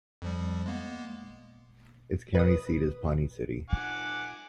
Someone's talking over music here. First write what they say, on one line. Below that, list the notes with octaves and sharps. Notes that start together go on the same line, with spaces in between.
Its county seat is Pawnee City.
F2 F3 G3
G#3 A#3 B3
B4 D#6
F#5 G#5 D6